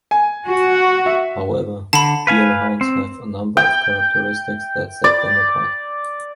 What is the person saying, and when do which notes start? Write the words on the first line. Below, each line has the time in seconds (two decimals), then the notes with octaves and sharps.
However, Deerhounds have a number of characteristics that set them apart.
0.11 G#5
0.47 F#4
1.06 E5
1.93 D3 A5 B5
2.27 B4 F5 G#5
2.81 C4
3.57 G5
5.04 D5